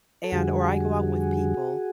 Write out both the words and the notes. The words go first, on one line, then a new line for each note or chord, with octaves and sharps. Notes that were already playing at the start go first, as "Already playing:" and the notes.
and or I go out with people
A4
F2 D3 G3 F#4 G#4